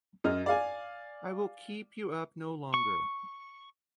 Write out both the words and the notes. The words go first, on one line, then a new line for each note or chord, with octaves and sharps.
I will keep you up no longer.
F#2 D#5 F6
D5 F5 G#5
C#6